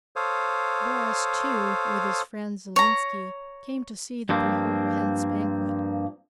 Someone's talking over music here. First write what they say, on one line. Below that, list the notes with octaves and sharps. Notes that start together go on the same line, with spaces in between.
Boris, too, with his friend Zhilinski, came to see the Preobrazhensk banquet.
A4 C5 C#5 F5 D#6
C#5 A#5
G2 F3 A#3 C4